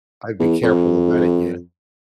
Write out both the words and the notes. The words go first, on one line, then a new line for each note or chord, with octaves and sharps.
I'd be careful about it, yeah.
E2
F2